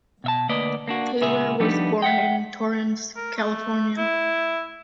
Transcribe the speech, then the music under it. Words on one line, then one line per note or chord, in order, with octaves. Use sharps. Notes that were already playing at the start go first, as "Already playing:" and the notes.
Taylor was born in Torrance, California.
B2 E5 A5
D2 A#3 B4 D5 D#5
A#3 D4 F#4
C#2 A#2 B3 G#4 E5
F3 G3 A3 B3 D4 D#4
E5 F#5 G5
A#4
A3
E4